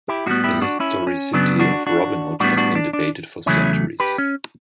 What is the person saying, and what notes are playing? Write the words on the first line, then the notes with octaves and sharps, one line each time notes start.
The historicity of Robin Hood has been debated for centuries.
E4 G4
A2 G3 B3 D4 F#4
E4 G4
D4 F#4
C#4 E4
C#4
F#2 C#3 F#3 B3 D4
D4 F#4
D4 F#4
A2 G3 B3 D4 F#4
D4 F#4
D4
D4
E2 C#3 F#3 A3 C#4 E4
G4 B4
C#4